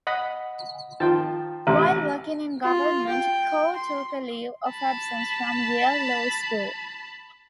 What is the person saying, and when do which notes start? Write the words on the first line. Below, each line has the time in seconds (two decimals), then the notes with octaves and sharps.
While working in government, Koh took a leave of absence from Yale Law School.
0.07 D#5 F#5 B5
1.00 D#3 F3 F4 G5 A5
1.67 A1 C3
2.63 F4
3.09 G5
3.75 C6
4.71 A5 B5